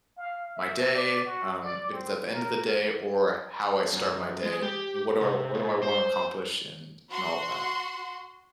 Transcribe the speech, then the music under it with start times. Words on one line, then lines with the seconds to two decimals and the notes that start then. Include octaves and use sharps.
my day, um, if it's at the end of the day, or how I start my day, and what do I what do I wanna accomplish and and all of that.
0.17 F5
0.56 E5
0.95 D5
1.25 F#4
1.63 D5
1.92 C4
2.32 A#4
3.93 F#2
4.43 G#3
4.63 G4
5.21 C3
5.54 A#2
5.83 C5
7.10 F#4 C6